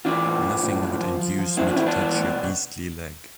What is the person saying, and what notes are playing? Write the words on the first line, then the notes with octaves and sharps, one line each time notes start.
Nothing would induce me to touch your beastly leg.
E3 D4 F4
A2
A2
A2
F3
F3
F3
F3
A2 C4 E4
D4 F4
E3 C4 E4
B3 D4
E3
A2
B2